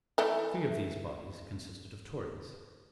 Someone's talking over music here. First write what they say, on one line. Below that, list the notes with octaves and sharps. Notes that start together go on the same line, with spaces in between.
Three of these bodies consisted of Tories.
E3 A3